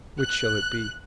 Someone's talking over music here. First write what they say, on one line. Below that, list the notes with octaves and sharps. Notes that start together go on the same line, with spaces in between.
Which shall it be?
F#6